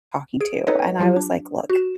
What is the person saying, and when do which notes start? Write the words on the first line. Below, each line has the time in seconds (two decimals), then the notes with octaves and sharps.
talking to, and I was like, "Look,
0.41 G#4 D7
0.67 D#4 A4 B4 C#5 D#5
0.99 F3 F#3 F4 G4
1.16 D4
1.70 F#4 E7